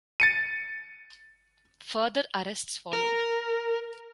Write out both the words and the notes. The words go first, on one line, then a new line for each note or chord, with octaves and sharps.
Further arrests followed.
A6 C#7 D#7
A#4